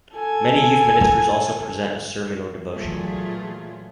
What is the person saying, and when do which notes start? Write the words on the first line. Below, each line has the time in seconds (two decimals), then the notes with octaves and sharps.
Many youth ministers also present a sermon or devotional.
0.15 A4 G#5
2.73 A#2 E3 F#3 A3 F4 G#4